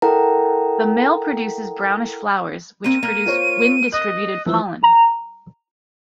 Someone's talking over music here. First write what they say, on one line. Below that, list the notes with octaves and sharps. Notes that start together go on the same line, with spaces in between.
The male produces brownish flowers which produce wind-distributed pollen.
E4 A4 A#4 F#5 G5 A#5
A#3 C4 D#7
A#3
F4 C5 C#5
D#5 F#6
E3 F3 E6
A#5